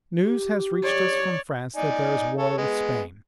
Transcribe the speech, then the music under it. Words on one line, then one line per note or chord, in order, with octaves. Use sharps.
"News has reached us from France that there is war with Spain."
G4
C#5 D5
D#4 D5 G#5
A4 C#5
G#3 B3